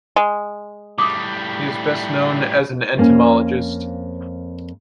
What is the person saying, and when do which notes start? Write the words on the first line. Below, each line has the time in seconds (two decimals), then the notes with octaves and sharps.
He is best known as an entomologist.
0.16 G#3
0.98 A2 G3 D6 D#6
2.97 F2 A#3 C#4